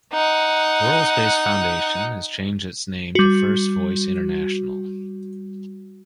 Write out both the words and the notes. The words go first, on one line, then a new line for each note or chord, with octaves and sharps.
WorldSpace Foundation has changed its name to First Voice International.
D#4 F#5
G3 F#4